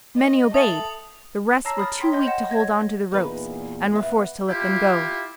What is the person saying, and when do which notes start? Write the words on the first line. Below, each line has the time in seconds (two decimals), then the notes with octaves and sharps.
Many obeyed; the rest were too weak to hold on to the ropes, and were forced to let them go.
0.16 D#5
0.54 A4 E5 D#6 A6 F#7
1.65 C#5 A5 A#5 E6 A#6 C7
1.78 B5 D#6 F6 A6
2.00 C#5 G5 C6 B6
2.12 D#5 C6 G6
2.26 D#5 F#5 A#6 E7
2.49 C#5 D#5 G#6 A#6
3.12 E2 A#2 D#4 B4
3.95 B3 E5
4.47 E4 F4 G4